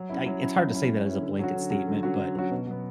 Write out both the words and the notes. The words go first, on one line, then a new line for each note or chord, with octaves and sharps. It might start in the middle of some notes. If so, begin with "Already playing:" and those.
I, it's hard to say that as a blanket statement, but
Already playing: F#3
C#4 E4
F#3
C#4 E4
F#3
C#4 E4
F#3
C#4 E4
D3
F#3 C#4 F#4
D3
F#3 C#4 F#4
D3
F#3 C#4 F#4
D3
F#3 C#4 F#4
B2
F#3 B3